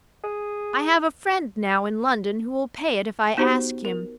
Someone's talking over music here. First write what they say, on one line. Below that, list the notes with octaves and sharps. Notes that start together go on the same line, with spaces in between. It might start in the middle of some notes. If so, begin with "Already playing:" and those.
I have a friend now in London who will pay it if I ask him.
G#4
B3 D#4 F#4 G4 C5
A#4